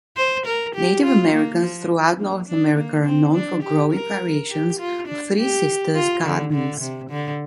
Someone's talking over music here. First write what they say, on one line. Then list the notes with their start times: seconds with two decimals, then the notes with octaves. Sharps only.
Native Americans throughout North America are known for growing variations of Three Sisters gardens.
0.17 C5
0.46 A#4
0.75 G4
1.03 F4
1.32 A#3
1.62 F3
2.20 A#3
2.48 D4
2.76 A#3
3.06 C4
3.35 D4
3.63 G4
3.93 A#4
4.50 G4
4.80 F4
5.08 D4
5.37 G4
5.95 F4
6.24 D3
6.53 D3
6.81 C3
7.10 D3